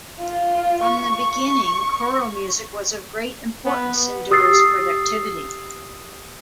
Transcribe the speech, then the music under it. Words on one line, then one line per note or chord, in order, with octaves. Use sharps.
From the beginning, choral music was of great importance in Durey's productivity.
F4
C#6
B3
G4 D#6 E6 A6 C7